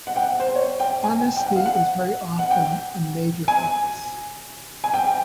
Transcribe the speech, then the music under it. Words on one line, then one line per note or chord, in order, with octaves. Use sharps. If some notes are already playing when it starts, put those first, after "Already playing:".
Honesty is very often a major focus.
F#5
G5
F#5
C5
C#5
G5
G#5
G5
G5
F#5
F5
F#5
F#5
G5
G#5
G#5
G5
G5